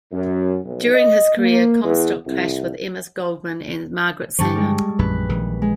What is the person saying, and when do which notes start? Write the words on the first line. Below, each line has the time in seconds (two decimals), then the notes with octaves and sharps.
During his career, Comstock clashed with Emma Goldman and Margaret Sanger.
0.13 F#2
0.65 B1
0.94 D#5
1.37 A#3
1.84 E2
2.25 C2
4.39 G2 D3 F3 G4 A5 C#6
4.55 G3 G#3
4.99 A#1 F#2 E3 B4
5.29 A#1 D#3 E3
5.62 G#3